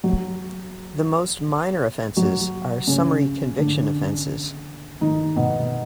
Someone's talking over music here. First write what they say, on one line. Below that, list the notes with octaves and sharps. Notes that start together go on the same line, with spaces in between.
The most minor offences are summary conviction offences.
F#3 F#4
F#3 F#4
C#3 C#4
D3 D4
D#3 D#4
B2 B3